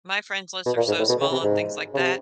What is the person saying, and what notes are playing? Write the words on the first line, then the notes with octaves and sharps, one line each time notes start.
My friends lists are so small on things like that,
B2
A#2
G#2
A2
B2
C#3
C3
G#2
C#3
C3